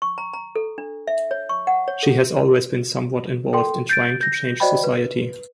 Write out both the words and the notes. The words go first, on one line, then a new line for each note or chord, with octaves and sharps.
She has always been somewhat involved in trying to change society.
C#6
A#5
A#5
A4
D4
E5
C#5
C#6
F#5
C#5
A4
A4 G5 C6
G6 A6 D7
G6 A#6
F#4 C5 D5 D#5 G5 B5
B4